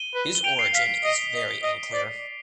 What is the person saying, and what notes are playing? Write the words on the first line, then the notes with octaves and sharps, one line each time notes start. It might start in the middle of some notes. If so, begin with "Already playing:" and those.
His origin is very unclear.
Already playing: D#7 G7
B4
G7
G5 D7 F7
C7
F5 B6
D#5
D#5
D#5
D5